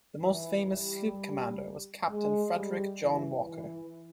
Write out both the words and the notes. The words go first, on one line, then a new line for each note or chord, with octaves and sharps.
The most famous sloop commander was Captain Frederic John Walker.
E3
G3
G#3
G3
E3
E3